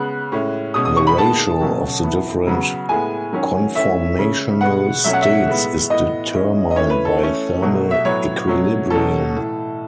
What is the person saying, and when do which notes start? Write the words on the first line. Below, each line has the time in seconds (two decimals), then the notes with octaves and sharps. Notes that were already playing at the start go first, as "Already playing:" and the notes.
The ratio of the different conformational states is determined by thermal equilibrium.
Already playing: C#3 G#3 B3 F#6
0.32 A2 G#3 C#4
0.74 B2 G#3 C#4 D#6
0.85 D#6
0.96 C#6
1.07 B5
1.18 D#3 G#3 B3 A5
1.61 B2 F#3 A3 C#4
2.04 E3 B3
2.47 C#3 F#3 B3
2.89 A2 G#3 B3 G#5
3.32 D#3 F#3 C#4
3.75 E3 A3 C#4 E5
4.19 C#3 G#3 C#4
4.61 B2 G#3 B3 F#5
5.04 B2 F#3 A3 C#4 E5
5.13 F#5
5.22 E5
5.47 A2 G#3 B3
5.90 A2 E3 B3 D#5
6.33 E3 G#3 C#4
6.71 D#5
6.76 E3 A3 C#4 C#5
6.90 B4
7.05 A4
7.19 E3 A3 C#4
7.62 B2 F#3 A3
7.91 E5
8.05 A2 F#3 B3 C#5
8.47 B2 F#3 A3 C#4
8.90 B2 F#3 C#4 A4
9.34 A2 E3 A3